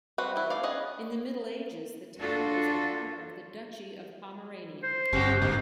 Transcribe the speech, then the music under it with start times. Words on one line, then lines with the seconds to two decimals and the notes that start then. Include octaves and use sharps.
In the Middle Ages the town was a part of the Duchy of Pomerania.
0.18 G3 C4 F#4 B4
0.36 E3 E4
0.50 A3 D5 F5
0.63 B3 C#4 G#4 D#5
2.18 D4 F4 F#4 A4
4.83 C5
5.13 G1 C3 F#4 G4
5.42 G#2 D3 A#3 C4